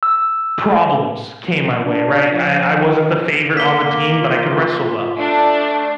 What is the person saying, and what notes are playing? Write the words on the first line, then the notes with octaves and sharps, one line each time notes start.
problems came my way, right? I I wasn't the favorite on the team, but I could wrestle well.
E6
D4
F3
D#3
A#3 D6 B6 G7
F4
A3 D4